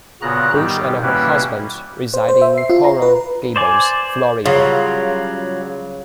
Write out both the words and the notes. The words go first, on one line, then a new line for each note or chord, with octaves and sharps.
Bush and her husband reside in Coral Gables, Florida.
A#2 C#3 B3 F#4 A#5 F#6
G#2 D#3 G3 G4
B2 G3 A#3 C#4 E4 B4
C5
C5
E5
C7
F4
A#5
B4
C5 D5 G#5
C#3 F#3 G3 F4